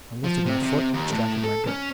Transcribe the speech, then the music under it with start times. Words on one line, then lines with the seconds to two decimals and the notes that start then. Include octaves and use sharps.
I lifted my foot; extracted my dirk.
0.24 F3
0.46 C3
0.62 C3
0.94 D#2
1.11 A2
1.44 A4
1.67 C#4